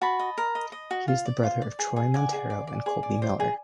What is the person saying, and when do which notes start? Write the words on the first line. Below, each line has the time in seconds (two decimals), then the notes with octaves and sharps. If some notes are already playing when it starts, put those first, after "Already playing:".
He is the brother of Troy Montero and Colby Miller.
0.02 F#4 A5 B5
0.19 D#5
0.38 A#4
0.55 D#5
0.72 D#5
0.91 F#4
1.08 F4
1.25 D5
1.44 F4
1.62 D5
1.79 G#4
1.96 G#4
2.14 D5 F#5 G#5
2.33 G#4
2.50 D5
2.67 D5
2.86 G#4
3.03 D5
3.22 C5
3.40 G#4